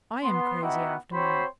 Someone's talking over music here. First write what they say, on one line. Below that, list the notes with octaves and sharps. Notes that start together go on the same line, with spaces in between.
I am crazy after money.
B3 C6
B3 D#4 E4 F#4 G4 F#5
C4 F#4 C5 C#5 B5 C6